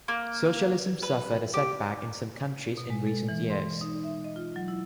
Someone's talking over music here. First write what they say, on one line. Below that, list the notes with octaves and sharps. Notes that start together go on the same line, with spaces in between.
Socialism suffered a setback in some countries in recent years.
A#3
B4
G4
B2
G#3
A4
E3
C6
D#4
E5
D#5
F4
F#3
E4